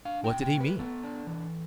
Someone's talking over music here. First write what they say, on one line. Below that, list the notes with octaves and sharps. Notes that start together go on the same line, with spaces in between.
What did he mean?
D4 F5
G5
B2
G5
A3
B4
B3 A4
D4
E3